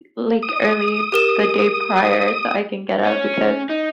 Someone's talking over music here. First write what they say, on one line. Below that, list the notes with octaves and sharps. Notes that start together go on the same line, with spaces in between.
like, early the day prior so I can get up because
D#6
G4 A#4 E7
C#4
D#4